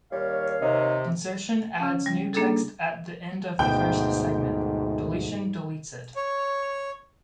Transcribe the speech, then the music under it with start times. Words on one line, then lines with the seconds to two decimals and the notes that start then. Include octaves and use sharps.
Insertion adds new text at the end of the first segment; deletion deletes it.
0.12 D#2 G3 C#5 F5
0.62 C3 D#4
1.80 C#3 C#4
2.06 G3
2.33 A#3 D4 E4 G#4 A4
3.59 D2 G#2 B2 G5
6.16 C#5